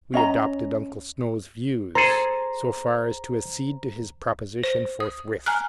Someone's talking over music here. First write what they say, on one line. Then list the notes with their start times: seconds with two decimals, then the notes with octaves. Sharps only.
'We adopted Uncle Snow's views so far as to accede to his proposition forthwith.
0.14 C#4 D#5 A#5
1.95 G#4 A4 C5 A#5
4.64 C5
5.00 D#6
5.46 G#5 A#5 F6 F#6